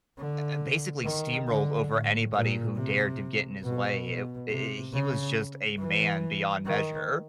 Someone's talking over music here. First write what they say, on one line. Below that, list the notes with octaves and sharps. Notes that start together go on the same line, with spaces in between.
uh, basically steamrolled over anybody who dared to get in his way. It i i he was just a man beyond measure.
D3
D#3
D3
A2
A#2
C3
B2
B2
C3
C#3
E3
D#3